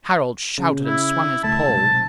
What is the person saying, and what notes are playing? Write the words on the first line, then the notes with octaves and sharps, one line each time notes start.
Harald shouted and swung his pole.
C#3
E4
C#2 A3 A5
B1 G#2 C3